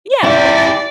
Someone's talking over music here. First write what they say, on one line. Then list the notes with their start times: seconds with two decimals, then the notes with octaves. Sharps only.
Yeah, of course.
0.24 E4 G4 D5